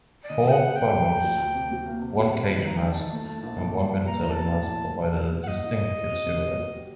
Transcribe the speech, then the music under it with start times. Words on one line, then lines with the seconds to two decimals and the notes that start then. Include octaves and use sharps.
Four funnels, one cage mast, and one military mast provided a distinctive silhouette.
0.24 D5
0.29 D3 D#5
0.45 G4 G5
0.53 F#5
0.61 G4
0.76 C4 G5
0.92 G3
1.08 G4
1.24 D2
1.39 D2
1.55 C3
1.71 F#3
1.86 A#3
2.02 C3
2.17 F#3
2.34 C3
2.50 D#3
2.65 C2 A#5
2.77 D#3 G5
2.88 A5
2.96 D#3
3.12 A3
3.28 A3
3.43 A#1
3.59 A#1
3.75 A#1
3.90 A#2
4.07 A#3 A#5
4.22 A2 A#5
4.30 A5
4.38 F#3
4.54 A2
4.69 A2
4.85 A2
5.00 A#2
5.17 A#2
5.33 A#2
5.43 F#5
5.47 A#2 D#5
5.63 D#4
5.79 A#2
5.95 G4
6.11 C4
6.26 C3
6.42 F#3
6.58 F#3
6.74 G4